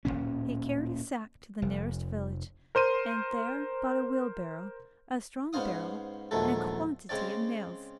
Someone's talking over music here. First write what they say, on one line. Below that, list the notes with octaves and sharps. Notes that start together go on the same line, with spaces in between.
He carried his sack to the nearest village, and there bought a wheelbarrow, a strong barrel, and a quantity of nails.
D1 C2 A#2 C#4
F1
A#4 C5 C6 D#7
G#2 B3 C#4 C5 F5 D#6
A#1 D#2 G#2 F#3 A3 A4
C#3 G#3 C4 C#4 D5